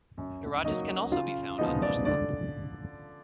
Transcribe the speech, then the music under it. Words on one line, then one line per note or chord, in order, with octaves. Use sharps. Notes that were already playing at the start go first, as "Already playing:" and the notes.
Garages can also be found on most lots.
F#2
C#3 F#3 A#3 D#4 D#5
C#3 F4 F5
F3 G#3 B3 D#4 D#5
D5
D3 D5